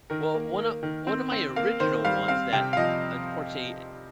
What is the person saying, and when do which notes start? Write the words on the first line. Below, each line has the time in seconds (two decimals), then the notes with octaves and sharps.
Well, one of one of my original ones that, unfortunately,
0.10 D#3 A#4
0.34 A#3
0.58 A#3
0.83 D#3
1.07 C4
1.32 C4
1.56 A#3 F5
1.80 D#3 C5
2.05 G3 F5
2.28 C4 F5
2.53 C3 G5
2.73 F5
2.77 F3 D#5